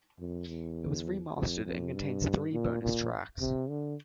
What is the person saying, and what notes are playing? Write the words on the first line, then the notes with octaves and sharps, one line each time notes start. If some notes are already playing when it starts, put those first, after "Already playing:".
It was remastered and contains three bonus tracks.
F2
E2
F2
F2
G2
A#2
A#2
C3
D3